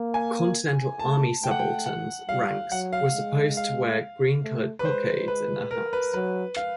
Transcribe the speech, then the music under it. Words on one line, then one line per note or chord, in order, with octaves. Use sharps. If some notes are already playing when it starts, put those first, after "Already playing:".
Continental Army subalterns ranks were supposed to wear green colored cockades in their hats.
Already playing: A#3
G#5
A3 A5
A3 G5
F#5
G5
F#5
G3 F5
F#3 F#5
F5
G#3
F5
A3
B4
G#3 C5
B4
A#4
B4
F#3 B4
F5